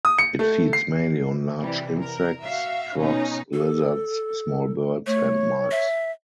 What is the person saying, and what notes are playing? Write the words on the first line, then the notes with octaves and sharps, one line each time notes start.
It feeds mainly on large insects, frogs, lizards, small birds, and mice.
D#6
C#7
A3
C7
C3 E3 G3
A#4
F#4 E5 F5
B2 C#4 D#4
A4
A3 C#5
E5